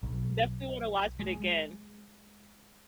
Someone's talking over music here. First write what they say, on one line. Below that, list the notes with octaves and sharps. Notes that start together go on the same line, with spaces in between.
defintietly wanna watch it again.
B1
G#3